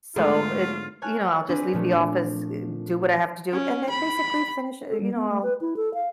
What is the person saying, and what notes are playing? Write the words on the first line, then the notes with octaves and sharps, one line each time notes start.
so, it you know, I'll just leave the office, eh, do what I have to do, and then basically finish eh, you know, I'll
G#2 D3 G#3 A3 B3 F4
C#5 G#5 A5 F6 F#6
C4 D4 G#4 B4
A#2 F3 A3
C#4
B5
A4
G3
B3
A3
B4
E4
A4
F5